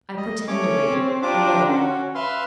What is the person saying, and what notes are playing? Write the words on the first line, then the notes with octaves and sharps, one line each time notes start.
I pretend to read--a little.
D#5
A3 C#4 C#5 D6
C4
D4 F4 G4 A#5 D6
C#4 F#4
B4 E5 F5 C6